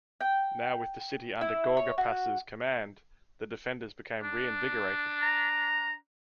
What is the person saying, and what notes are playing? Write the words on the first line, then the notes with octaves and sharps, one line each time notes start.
Now with the city under Gorgopas' command the defenders became reinvigorated.
G5
E4
C#5
F#4
D4
A#5